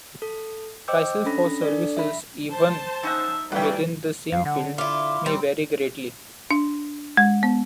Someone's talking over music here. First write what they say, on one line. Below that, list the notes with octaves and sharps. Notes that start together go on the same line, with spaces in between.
Prices for services, even within the same field, may vary greatly.
A4
C5 D#5 G5 D6 E6 G6
C#4 D4 A4 B5 A#6
D4 A4 D5
E5 B5
C5 A5
C#4 D#4 E5 F#5
E3 G3 A3 C#4 D5 F#5 G5
F2 F5
D3 F#5
E4 F4 D6
G3 C4
D4
G#3
B3